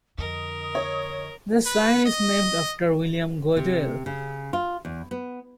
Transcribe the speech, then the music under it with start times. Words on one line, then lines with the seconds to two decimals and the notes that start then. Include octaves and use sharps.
The sign is named after William Goodell.
0.18 F2 D3 A#4 D#5 D#6
0.75 C#5
1.66 B4
2.06 D#5
3.57 C3
4.06 C#3
4.53 F4
4.85 E2
5.11 B3